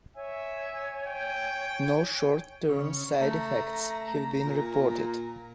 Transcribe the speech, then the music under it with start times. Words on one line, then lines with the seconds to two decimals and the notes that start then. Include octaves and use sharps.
No short-term side effects have been reported.
0.16 C#5 E5 G#5
1.07 G5
2.69 C#3
3.21 A3 A#5
4.46 A#2